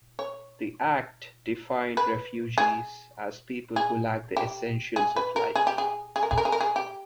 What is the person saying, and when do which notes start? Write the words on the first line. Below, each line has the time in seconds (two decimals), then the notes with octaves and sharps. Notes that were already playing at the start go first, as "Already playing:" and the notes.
The act defined refugees as people who lack the essentials of life.
0.19 C#5
1.97 B4
2.58 G#4
3.76 G#4
4.37 G4
4.96 G#4
5.16 B4
5.36 A#4
5.55 G#4
5.67 G4
5.78 G#4
6.16 G#4
6.23 A#4
6.31 G#4
6.38 A#4
6.45 G#4
6.52 A#4
6.61 G#4
6.76 G4